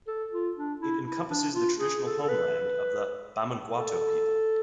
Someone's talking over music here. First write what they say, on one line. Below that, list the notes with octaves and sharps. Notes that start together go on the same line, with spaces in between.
It encompasses the traditional homeland of the Bamangwato people.
A4
F4
D4
E4
E4
D4
F4
G#4
A4
A4
B4
A4